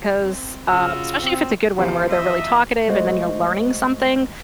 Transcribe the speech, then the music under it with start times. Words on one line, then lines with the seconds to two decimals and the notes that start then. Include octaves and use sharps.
'cause, uh especially if it's a good one where they're really talkative, and then you're learning something.
0.20 C4
0.68 C#3 F4 F#4 E6
1.21 C4
1.78 A#1 D#2 C3 E3 C5
2.10 E3 D#5 E5
2.88 G#3 A3 F#4 C5 F5